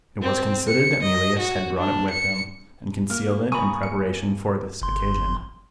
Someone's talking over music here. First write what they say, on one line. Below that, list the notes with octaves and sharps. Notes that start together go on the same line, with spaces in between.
It was considered that Mealyus had brought it with him, and concealed it in preparation for this occasion.
C4
C#7
D#5
F#4
D4
C#7
A#3 F6
G#5 A#5 B5 C#6 D#6
C#7
G1 C6